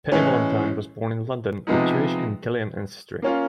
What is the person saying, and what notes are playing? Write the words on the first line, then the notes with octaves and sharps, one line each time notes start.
Penny Valentine was born in London, of Jewish and Italian ancestry.
A2 E3 G#3 C#4
C3 F3 G#3 B3 D#4
A#3 C#4 F4